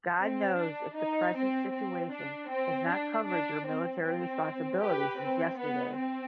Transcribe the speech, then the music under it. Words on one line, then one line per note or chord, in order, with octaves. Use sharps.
God knows if the present situation has not covered your military responsibility since yesterday.
C4
D4
D#4
C4
C4
D4
C4
D4
D4
C4
C4
G4 B4
C4
B3
C4